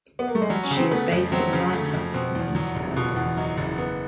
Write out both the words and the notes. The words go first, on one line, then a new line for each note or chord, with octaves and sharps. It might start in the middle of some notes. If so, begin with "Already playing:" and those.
She is based in Limehouse in east London.
B3
A#3
A3
G#3
F#3 G3
C#4
C#3
C4
A3 B3
F2
F#3 C4
C#3
A3
F2
B2 C4
E2
F#3
F#1
B2 F4
E2
F#3 D#4
F#1
B3